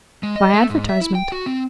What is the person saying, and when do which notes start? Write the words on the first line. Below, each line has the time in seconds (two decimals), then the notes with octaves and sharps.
"By advertisement."
0.23 G#3
0.36 D#5
0.54 A3
0.70 G#2
0.89 E5
1.01 E4
1.15 G5
1.32 F#4
1.46 C4